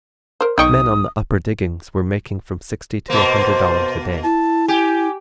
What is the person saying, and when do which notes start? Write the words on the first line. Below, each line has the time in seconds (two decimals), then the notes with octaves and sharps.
Men on the upper diggings were making from sixty to a hundred dollars a day.
0.41 A#4 C5
0.58 B1 D#4 D#5 G5 C#6 D#6
3.10 B2 A#3 C5
4.24 E4 A5
4.68 G4 G#5